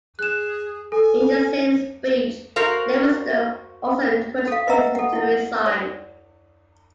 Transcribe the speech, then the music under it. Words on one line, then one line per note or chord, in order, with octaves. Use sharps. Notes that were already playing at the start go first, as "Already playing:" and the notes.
In the same speech, Livingston also encouraged Clinton to resign.
G#4 F#6 E7
A4 G#5
F#4 A#4 C5 F5
A4 F5
B4 D#5 E5 F#5 A#5 E6
A4 F#5
E4 F#5
C#5 D5